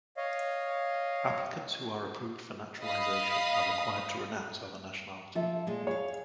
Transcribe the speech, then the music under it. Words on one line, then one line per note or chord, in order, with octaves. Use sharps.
Applicants who are approved for naturalisation are required to renounce other nationality.
C#5 D#5 F5
D#5 F5 B5 D#6
F3 A4 E5
A#2 G#3
G#4 C#5 F5